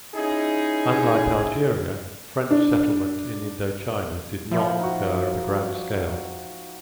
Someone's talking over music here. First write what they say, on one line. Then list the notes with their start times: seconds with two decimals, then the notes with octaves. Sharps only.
Unlike Algeria, French settlement in Indochina did not occur at a grand scale.
0.14 C#4 D#4 E4 G#4
2.50 D4
4.51 F3 E4 F#5
4.80 D#4 F#4